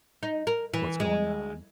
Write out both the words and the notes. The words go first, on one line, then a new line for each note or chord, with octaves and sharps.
what's going on
D#4
A#4
E3
G#3